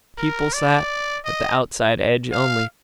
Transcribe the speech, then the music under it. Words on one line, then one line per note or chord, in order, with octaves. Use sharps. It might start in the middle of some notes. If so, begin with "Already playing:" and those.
People sat at the outside edge only.
A#4
D5
D#5
F5